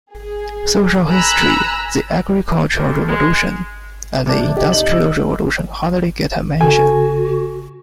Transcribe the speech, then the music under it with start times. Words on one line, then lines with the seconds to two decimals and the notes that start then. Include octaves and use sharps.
Social history, the agricultural revolution, and the industrial revolution hardly get a mention.
0.14 G#4
1.08 G#5 A#5 B5 E6 F#6
2.76 D2
3.08 G#3
4.26 C3 D4
4.57 G4 D#5
4.72 D#4 F#7
4.92 E6
6.61 C#3 F#4 A4 G#5